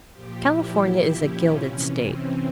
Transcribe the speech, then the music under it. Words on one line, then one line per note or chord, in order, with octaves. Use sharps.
California is a gilded state.
A#2 F3 G4
E4
E4
C#4
C3 E3
C4